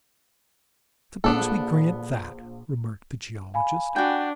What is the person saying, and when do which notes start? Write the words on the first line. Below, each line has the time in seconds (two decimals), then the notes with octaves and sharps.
"Suppose we grant that," remarked the geologist.
1.24 A#1 B3 D4 A4
3.54 F5 G#5 B5
3.96 D4 F#4 G5